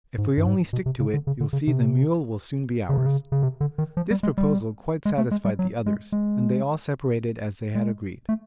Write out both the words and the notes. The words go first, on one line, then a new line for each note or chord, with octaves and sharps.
If we only stick to it you'll see the mule will soon be ours.' This proposal quite satisfied the others, and they all separated as they had agreed.
G#2
G2
G#2
B2
C3
C#3
D3
C#3
D3
C#3
C3
C#3
C3
C#3
C#3
C3
D3
D#3
F3
G3
G#3
G3
G#3
A3
G#3
G3
F#3
G#3
G#3
G#3
A3